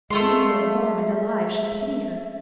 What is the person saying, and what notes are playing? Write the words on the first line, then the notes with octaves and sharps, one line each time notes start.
We who are warm and alive should pity her.
G#3 A3 F4 E5 C6